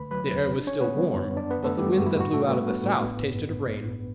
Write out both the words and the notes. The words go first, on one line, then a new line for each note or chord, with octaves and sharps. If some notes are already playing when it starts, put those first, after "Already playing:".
The air was still warm, but the wind that blew out of the south tasted of rain.
Already playing: C#2 D3 A3 B4 B5
F#3 B4 B5
E2
D4
C#4 C#5
D3
B3 B4
G3
F#2
B3 D4 D5
B3 B4
D3
A3 A4
G3 G4
F#4
G2
E4
A2 F#4
A3 A4
G3
B3 B4
D4
A2
A1
G2